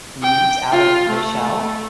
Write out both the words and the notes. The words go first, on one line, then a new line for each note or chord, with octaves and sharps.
meat out of the shell,
G5
F4
A3
A3